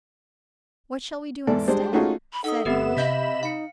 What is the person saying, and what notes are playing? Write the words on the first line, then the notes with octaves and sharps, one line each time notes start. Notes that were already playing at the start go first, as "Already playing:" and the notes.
'What shall we do instead?' said Amy.
E2 G#2 A4 D5
G3 G#3 D4 C5 D5
A3 C#4 D#4 F4 F#4 G#4
B5
D#4 A4 F#5 D#6
G1 B3 C4 G4 B4 E5 E7
C3 D#5 F5 B5 G6 B6 E7
D#4 F5 C#7